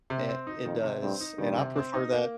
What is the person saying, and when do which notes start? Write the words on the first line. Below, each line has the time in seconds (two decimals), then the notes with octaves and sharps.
It it does, and I prefer that.
0.10 C3
0.29 C4
0.47 D#4
0.65 F2 D#3
0.83 C3
1.02 G2 C4
1.20 D#4
1.38 G2 D#3
1.57 C3
1.76 C4
1.94 D#4
2.12 A#3